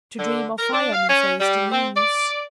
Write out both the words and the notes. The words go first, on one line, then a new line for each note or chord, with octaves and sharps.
To dream of fire means hasty news.
D3
A#4
D4
F5
C#4
G3
C4
D5